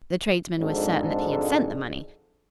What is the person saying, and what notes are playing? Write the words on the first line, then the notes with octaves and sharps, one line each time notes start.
The tradesman was certain that he had sent the money.
G#1 F2 G#2 G#3 D4 A4